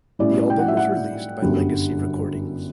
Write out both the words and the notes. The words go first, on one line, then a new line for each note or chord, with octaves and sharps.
The album was released by Legacy Recordings.
A2 G3 C#4 E4 D5
G5
F#5
E5
F#5
G1 F#2 D3 G3